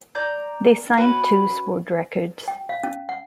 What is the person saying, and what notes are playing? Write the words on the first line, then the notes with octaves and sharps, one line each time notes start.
They signed to Sword Records.
D5 A#5 G6
C#4 F#4 B4
G5
F5
C#4
F#5